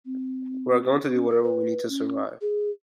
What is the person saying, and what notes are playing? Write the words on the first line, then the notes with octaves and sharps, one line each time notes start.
We are going to do whatever we need to do to survive.
C4
C#4
A#4
B4
C#4
G#4